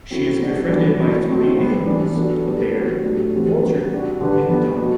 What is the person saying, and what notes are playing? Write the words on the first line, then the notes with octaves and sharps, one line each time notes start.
She is befriended by three animals: a bear, a vulture and a dog.
F#3 C4 E4 A4
B2 G3 D4 F#4
E3 B3 D4 F#4 A4
B2 F#3 A3 C4 E4
B2 F#3 A3 C4
C3 G3 B3
E3 G3 D4
F#3 B3 D4 A4
G3 B3 D4 G4
F#3 A3 C4 F#4
A2 F#3 A3 D4 G4
C3 E3 G3 C4 F#4
C3 G3 D4 F#4
G3 D4 F#4
D3 G3 D4 G4 B4
G3 B3 D4
B2 F#3 A3